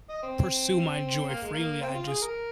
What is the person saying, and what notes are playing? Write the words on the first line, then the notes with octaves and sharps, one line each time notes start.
pursue my joy freely, I just
D#5
C4
A#3
G#3
A#3
C4
F4
G#4
A#4